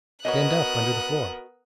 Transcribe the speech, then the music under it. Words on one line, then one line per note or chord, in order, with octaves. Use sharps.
"Denned up, under the floor!"
B3 F#4 A#4 C#5 D#5 D#6 F#6